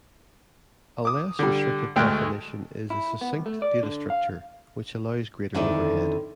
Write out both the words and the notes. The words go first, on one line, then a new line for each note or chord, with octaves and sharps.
A less restrictive definition is a succinct data structure, which allows greater overhead.
D6 D#6
D3 G3
D2 G#3 A3 G5 F6 F#6
E4
B3
C2
A3
D5
D3
F5
F2 D3 D#3 E4 D5